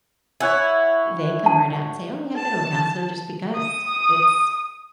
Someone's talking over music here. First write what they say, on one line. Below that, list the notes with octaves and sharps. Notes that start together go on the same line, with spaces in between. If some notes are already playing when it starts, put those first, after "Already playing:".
they come right out and say, “Oh, yeah, I go to a counselor just because,” it's,
E4 C#5 F#5 G#5
A5
A5
D#6